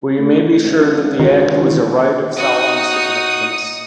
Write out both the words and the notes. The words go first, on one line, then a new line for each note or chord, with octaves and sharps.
We may be sure that the act was a rite of solemn significance.
A3
G#1 C#2
C#2 D#3 F#4
E3
D#4 F#4 D#6